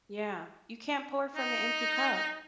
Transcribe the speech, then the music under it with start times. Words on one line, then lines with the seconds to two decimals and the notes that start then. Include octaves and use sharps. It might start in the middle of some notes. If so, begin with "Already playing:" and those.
Yeah. You can't pour from an empty cup.
1.36 D#4